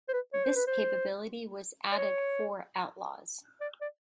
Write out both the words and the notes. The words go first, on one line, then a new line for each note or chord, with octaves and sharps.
This capability was added for "Outlaws".
C5
B4
C#5
C5
B4
C5
D5
C#5
D5
D5